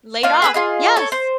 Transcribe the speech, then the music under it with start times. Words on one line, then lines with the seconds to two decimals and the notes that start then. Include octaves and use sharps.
Laid off. Yes.
0.23 A#3 D#4 F4 F5
0.42 G#4 B4 E6
0.54 F4 G#4 D#5
0.96 A4 C#5
1.12 C5